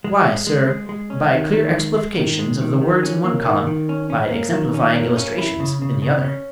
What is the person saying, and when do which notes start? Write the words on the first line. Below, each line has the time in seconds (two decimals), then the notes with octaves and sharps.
"Why, sir, by clear explifications of the words in one column, by exemplifying illustrations in the other."
0.04 G#3
0.25 G#3
0.47 G#3
0.67 G#3
0.89 G#3
1.10 C#4
1.32 D#3
1.53 D#3
1.75 G#3
1.96 G#3
2.18 D#3
2.39 G#3
2.61 D#3
2.81 D#3
3.03 C#4
3.24 A#3
3.45 D#3
3.67 D#3
3.89 C#4
4.10 C#4
4.31 A#3
4.53 D#3
4.74 C#4
4.96 A#3
5.17 C#4
5.38 E4
5.60 C#3
5.82 C#3
6.02 C#3
6.24 C#4